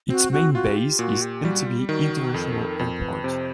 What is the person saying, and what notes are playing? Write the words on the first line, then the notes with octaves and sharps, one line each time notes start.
Its main base is Entebbe International Airport.
C4 F#4
F#4
F4 F#4
G4
A#2 F#4
G4
G3 F#4
F4
G4
D#3 F#4
F2 A4
F2 A#4 B4
B4
C3 C5